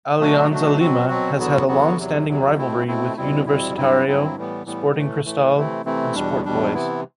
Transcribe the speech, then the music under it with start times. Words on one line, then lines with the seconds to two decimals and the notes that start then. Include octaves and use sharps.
Alianza Lima has had a long-standing rivalry with Universitario, Sporting Cristal, and Sport Boys.
0.19 B2 F#3 A3 D4 F#4
0.49 B2 F#3 A3 D4 F#4
0.79 B2 F#3 C4 F#4
1.09 B2 F#3 C4 F#4
1.38 E2 D3 F#3 B3 F#4
1.68 E2 D3 F#3 B3 F#4
1.98 E2 C3 F#3
2.28 E2 C3 F#3
2.57 B2 A3 C4 E4
2.87 B2 A3 C4 E4
3.17 E2 B2 G3 C4 E4
3.46 E2 B2 G3 C4 E4
3.76 G2 F#3 C4 E4
4.07 G2 F#3 C4 E4
4.36 A2 E3 G3 B3
4.66 A2 E3 G3 B3
4.95 A2 E3 A3
5.25 A2 E3 A3
5.55 C3 E3 A3 C4 E4
5.84 C3 E3 A3 C4 E4
6.15 E2 B2 G3 D4
6.45 E2 B2 G3 D4
6.74 C3 E3 B3 E4